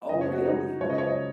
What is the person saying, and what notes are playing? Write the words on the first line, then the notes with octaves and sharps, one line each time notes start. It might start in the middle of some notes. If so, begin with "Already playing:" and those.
Oh, really?
F#2 C#3 D#5
C#5
F#4
D#4
C#2 C#3 C#5
D#5
C#5
D#5